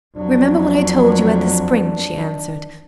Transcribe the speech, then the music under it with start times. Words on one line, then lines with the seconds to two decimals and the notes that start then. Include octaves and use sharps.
"Remember what I told you at the spring," she answered.
0.17 F2 F#3 D4